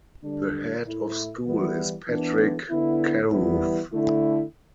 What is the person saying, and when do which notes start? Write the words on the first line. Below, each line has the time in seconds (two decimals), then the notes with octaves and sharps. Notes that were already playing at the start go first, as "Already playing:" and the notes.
The head of school is Patrick Carruth.
0.22 D3 G3 D4
0.84 A2 A3 E4
1.45 E3 G3 B3 E4
2.08 E3 B3 D4
2.69 D3 B3 E4
3.31 E3 G3 B3 E4
3.92 D3 A3 E4